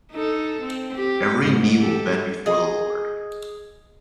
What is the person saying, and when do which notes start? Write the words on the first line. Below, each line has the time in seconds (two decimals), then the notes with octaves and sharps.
Every knee will bend before the Lord.
0.11 D#4 A4
0.61 C4
0.96 G4
1.41 F2 G#2 G#3
1.77 G4 A4
2.46 G#4 D#5